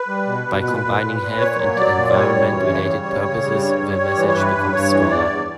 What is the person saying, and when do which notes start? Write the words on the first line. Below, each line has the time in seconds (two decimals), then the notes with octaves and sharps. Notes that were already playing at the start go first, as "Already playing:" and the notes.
By combining health and environment related purposes, the message becomes stronger.
Already playing: B4
0.08 G3
0.27 B2
0.46 B2
0.65 A#2
0.84 A#2
1.02 A#2
1.20 A#2
1.38 A#2 C#5
1.57 F#3
1.76 F#3 D5
1.94 A#2
2.12 G3 C#5
2.31 F#2
2.50 E3
2.69 C#3
2.87 G3
3.06 C#3
3.25 C#3
3.43 G3
3.61 G2 C#5
3.79 G3
3.99 G3
4.16 E3
4.28 C#5
4.35 G2 B4
4.54 G2
4.73 G2 C#5
4.92 E3
5.09 E2 D5
5.28 E2